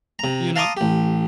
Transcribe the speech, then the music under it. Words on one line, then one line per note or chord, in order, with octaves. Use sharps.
You know?
C3 A#5
F5 A5 A#5 C6 D6 D#6
A1 G4